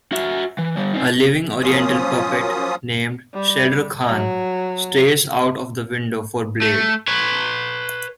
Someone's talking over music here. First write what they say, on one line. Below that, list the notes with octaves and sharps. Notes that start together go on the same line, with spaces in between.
A living oriental puppet, named Shredder Khan, stares out of the window for Blade.
F#4 E5
E3
D3 G3
C4 D#4
F3 F#3 A#3 C#4 F4 D#6
G3
F#3
A3
B4 C#5